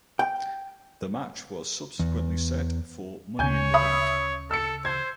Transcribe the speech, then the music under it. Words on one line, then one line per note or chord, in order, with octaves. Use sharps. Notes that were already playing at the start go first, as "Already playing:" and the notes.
The match was subsequently set for Money in the Bank.
G5
E2
D2 C#3 C#5 G#5 G6
E5 B5 D#6
A4 E6 C#7
C5 G#6